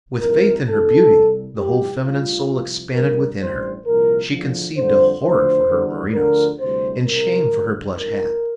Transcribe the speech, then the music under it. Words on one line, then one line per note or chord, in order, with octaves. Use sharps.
With faith in her beauty, the whole feminine soul expanded within her. She conceived a horror for her merinos, and shame for her plush hat.
F2 E3 G3 A#4
D2 C3 E3 A4
C2 C3 G3
F2 E3 G3 G4
D2 D3 G3 F4
C2 C3 F3
G2 D3 G3 A#4
A1 G2 E3 G3 C5
C2 A#2 F3 A#4
E2 D3 F3
F2 D3 G3 C5
D2 D3 F3 C5
E2 D3 G3
D2 D3 F3 A#4
D2 C3 E3 G3 C5
E2 C3 G3 A#4
D2 D3 G3
A1 G2 E3 A#4